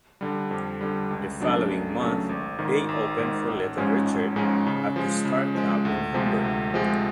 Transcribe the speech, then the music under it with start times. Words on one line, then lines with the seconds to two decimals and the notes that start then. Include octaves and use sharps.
The following month, they opened for Little Richard at the Star Club in Hamburg.
0.21 D3 G3
0.51 F2
0.81 D3 G3
1.10 C#2
1.40 C#3 F#3 A3 D4
1.70 C#2
1.99 C#3 F#3 A3 D4
2.29 G#1
2.58 G#2 D#3
2.89 G#1
3.18 G#2 D#3
3.48 A1
3.77 G#2 F3 G#3 C#4
4.06 A1
4.36 G#2 F3 G#3 C#4
4.67 C#3
4.96 F3 G#3
5.25 C#3
5.55 F3 G#3
5.85 D2
6.14 C3 F3 G#3
6.44 D2
6.74 C3 F3 G#3